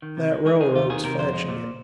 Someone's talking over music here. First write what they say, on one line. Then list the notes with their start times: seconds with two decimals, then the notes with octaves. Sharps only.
That railroad's fetching it.
0.02 D#3
0.17 C3
0.31 G#3
0.46 G#3 G#4
0.60 D#3 G#4
0.75 D#2 F4
0.90 D#3 G#4
1.04 C3 A#4
1.19 F2 C5
1.33 G#3
1.49 A#2